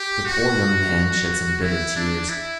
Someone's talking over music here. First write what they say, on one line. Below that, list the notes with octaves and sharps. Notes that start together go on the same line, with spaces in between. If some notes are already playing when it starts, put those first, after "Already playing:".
The poor young man shed some bitter tears.
Already playing: G4
F#4
E4
D4
E4